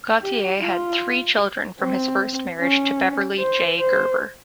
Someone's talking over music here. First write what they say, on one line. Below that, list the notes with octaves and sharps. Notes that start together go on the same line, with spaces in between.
Gautier had three children from his first marriage to Beverly J. Gerber.
G4
F4
C4
C#4
C5
C5